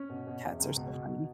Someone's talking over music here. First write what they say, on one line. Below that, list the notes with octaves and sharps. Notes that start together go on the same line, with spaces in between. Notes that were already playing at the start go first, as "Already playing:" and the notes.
Cats are so funny.
Already playing: C#4
B2
B2
E2
C#2
B2
B2